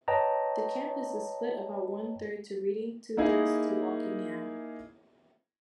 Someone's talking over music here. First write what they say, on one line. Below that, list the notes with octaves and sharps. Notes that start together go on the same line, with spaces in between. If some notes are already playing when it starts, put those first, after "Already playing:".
The campus is split about one third to Reading, two thirds to Wokingham.
B4 C#5 D#5 G5 A5 A#5
A#3 D#4 E4 G#4 A#4